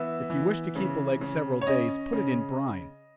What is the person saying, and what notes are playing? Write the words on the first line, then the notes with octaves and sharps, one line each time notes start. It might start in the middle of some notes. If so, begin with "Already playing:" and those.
If you wish to keep a leg several days, put it in brine.
Already playing: E3 B3 E5
E3
C#3
C#3
C#5
C#4 D#5
C#3